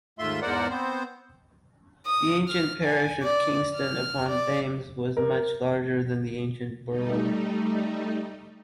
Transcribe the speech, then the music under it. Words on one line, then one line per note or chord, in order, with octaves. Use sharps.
The ancient parish of Kingston-upon-Thames was much larger than the ancient borough.
D#2 G#2 A3 F4 E5 C6
E2 G#2 A#4 C5 D5 F#5
B3 C4 C5
D#6
F6
G#5
D5
F6
D5
A#4
G3 A3 D#4